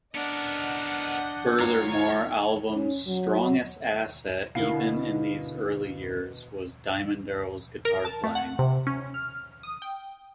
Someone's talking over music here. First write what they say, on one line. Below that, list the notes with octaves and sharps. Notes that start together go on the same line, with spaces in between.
Furthermore, album's "strongest asset" even in these early years was Diamond Darrell's guitar playing.
B3 D4 A#4 D#5 F#5 G6
G#1 F4 C#5 A#5
C#4
F#3
B2 D3 E4 A#4 F5 C7
A#4
A5
A3
F#5
C3
C#4
F6
D#6
G5